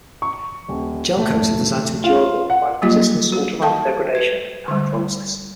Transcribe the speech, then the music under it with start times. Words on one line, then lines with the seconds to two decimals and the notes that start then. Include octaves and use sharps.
Gelcoats are designed to be durable, providing resistance to ultraviolet degradation and hydrolysis.
0.22 C#6
0.69 D#1
1.17 A3
2.04 F4
2.50 F#5
2.82 F#3 G3 A#3 F4 G4 D#5
3.32 F#4
3.62 A4 F5 G5 A5
4.15 B4
4.68 D3 G3